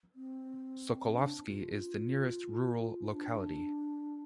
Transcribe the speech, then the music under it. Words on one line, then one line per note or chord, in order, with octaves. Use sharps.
Sokolovsky is the nearest rural locality.
C4
D4
F4
D4